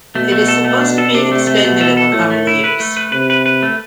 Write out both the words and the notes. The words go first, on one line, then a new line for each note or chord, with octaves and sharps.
It is supposed to be extended in the coming years.
B2 A3
A3
A4
A3
D4
A4
C3 D4
A3
A3
B2 A3
A4
A4
A2 A3
A3
E4
B4
A3
B4
C3 B4
B4
B4
A3